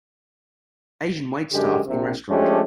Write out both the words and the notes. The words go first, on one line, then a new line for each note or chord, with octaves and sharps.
Asian waitstaff in restaurant.
F#2 D3 G#3 G4
A#1 C3
F3 G#3 A3 C#4 D4 G4